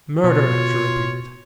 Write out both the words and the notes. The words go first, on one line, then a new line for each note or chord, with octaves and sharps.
"Murder!" she repeated.
B2 F4 C#5